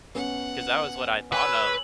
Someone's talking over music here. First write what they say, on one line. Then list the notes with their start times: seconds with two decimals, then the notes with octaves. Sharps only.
'Cause that was what I thought of
0.15 B3 C#4 F#5
1.32 B4 C#5 G#5 E6